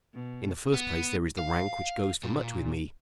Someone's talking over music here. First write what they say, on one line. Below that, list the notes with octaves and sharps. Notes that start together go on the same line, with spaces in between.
In the first place there is the rank which goes for much with me.
B2
B3
F5
A#2